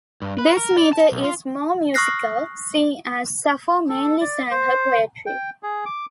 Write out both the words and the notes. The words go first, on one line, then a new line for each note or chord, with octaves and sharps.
This meter is more musical, seeing as Sappho mainly sang her poetry.
G2
B4
A#4
D5
A5
B1
F4
C#6 D#6 F6 F#6 A#6 C7
A4
D5
C5
G5
G#4
D6